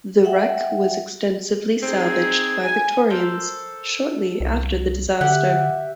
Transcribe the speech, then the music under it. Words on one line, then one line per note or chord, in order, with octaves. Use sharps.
The wreck was extensively salvaged by Victorians shortly after the disaster.
E5 F#5 G5
C4 D#4 G#4 G#6
G#5
A4 A#4 C5
C2
D3 G4 E5 F#5